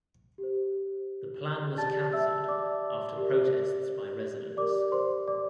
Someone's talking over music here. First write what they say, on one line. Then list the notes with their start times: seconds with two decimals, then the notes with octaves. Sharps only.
The plan was canceled after protests by residents.
0.38 G4
0.43 C5
1.78 G4 D5 A5 A6
2.13 E5 E6
2.48 D5 D6
3.17 G4 A#4 D5
4.57 G4 A#4 D5 D6
4.92 C5 C6
5.28 D5 D6